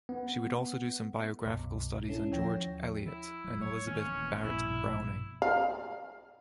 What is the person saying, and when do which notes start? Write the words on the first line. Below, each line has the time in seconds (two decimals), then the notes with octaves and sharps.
She would also do some biographical studies on George Eliot and Elizabeth Barrett Browning.
0.09 B3
1.44 C2 F#2 B2
2.09 C#4 E4 A4
2.31 D#2 F3 C#5 G5 A#6
3.06 E4
3.44 D#1 F#3
3.61 A3 C#5
3.87 D#3 A#3 B3 C#4
4.07 D#1 E3 A#3
4.43 A#1 G2 B2 E4
5.42 F5